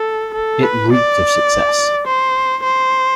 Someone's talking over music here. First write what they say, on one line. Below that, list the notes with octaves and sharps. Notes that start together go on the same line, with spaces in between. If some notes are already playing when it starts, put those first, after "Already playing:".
It reeked of success.
Already playing: A4
A4
B4
D5
C5
C5